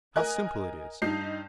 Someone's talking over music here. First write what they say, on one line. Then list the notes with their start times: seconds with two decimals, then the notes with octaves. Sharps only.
How simple it is.
0.16 A#4 D#5 G#5 F#6
1.02 G2 D#4 G6 C7